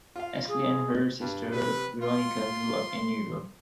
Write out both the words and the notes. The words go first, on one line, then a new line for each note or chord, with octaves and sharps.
Estelle and her sister, Veronica, grew up in New York.
F4 F5
G#4
G2
C3 B4
F4 C6